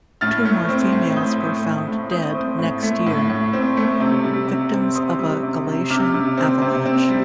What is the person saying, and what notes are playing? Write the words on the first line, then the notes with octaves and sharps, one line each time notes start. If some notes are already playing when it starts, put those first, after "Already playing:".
Two more females were found dead next year, victims of a Galician avalanche.
A2 F6 A6
A3
C4
A2
A2 D#6 G6
A3
A2
A2
A3 D#6 G6
C4
A2
A3
A2
A2
C4
A3
C3
G3
C3
C4
C4 C6 D#6
G3
C3
C3
C3 D6 F6
C3
C4
C3
C4
G3